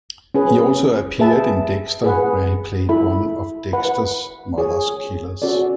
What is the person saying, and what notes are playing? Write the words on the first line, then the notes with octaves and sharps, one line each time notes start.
He also appeared in "Dexter" where he played one of Dexter's mother's killers.
C#4 G#4 B4
G#4 B4 E5 A5
G#4 B4 F#5
E4 A4 E5 B5
B4 F#5 B5
G#4 C#5 G#5
C#4 F#4 A4 D5